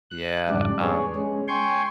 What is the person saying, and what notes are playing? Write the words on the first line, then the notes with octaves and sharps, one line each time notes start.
Yeah, um
F#6
F2 G#2 C#3 G3 D4 D5
B3 G#4 C#5
G#3 C#4
G5 G#5 C6 C#6 G6